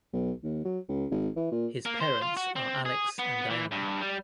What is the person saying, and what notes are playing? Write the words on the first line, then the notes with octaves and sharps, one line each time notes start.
His parents are Alex and Diana.
B1
D#2
F#3
C#2
G#1
E3
A#2
A#3
C5
F4
F#4
C4
G#4
B3
E3
G2
G3